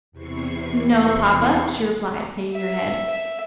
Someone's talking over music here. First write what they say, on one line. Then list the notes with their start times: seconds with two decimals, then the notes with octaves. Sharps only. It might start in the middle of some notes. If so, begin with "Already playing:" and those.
"No, papa," she replied, hanging her head.
0.12 E2 C3 E3 C#6 C7
2.54 E5
3.10 E5